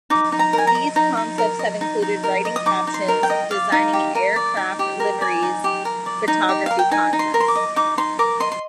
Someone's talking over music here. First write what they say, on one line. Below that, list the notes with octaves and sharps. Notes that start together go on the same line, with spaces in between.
These contests have included writing captions, designing aircraft liveries, photography contests.
D#4 D6
D#4
A#5
A#4 G#5
A#5
D#5
D#4 A#5
D#4
A#4
D#5
D#4
D#4
A#4
D#5
D#6
D#4 D6
D#4
C6
A#4
G5
D#5
D5 F5
D#4
G4
A#4
D5
D#4
G4
A#4
D5 G#5
D#4
G4
A#4
D5
D#4
G4
A#4 F5
G5
D#4 G#5
D#4
C6
A#4
C6
D6
D#5
D#4 D6
D#4 C6
A#4 D6
D#5 C6
C6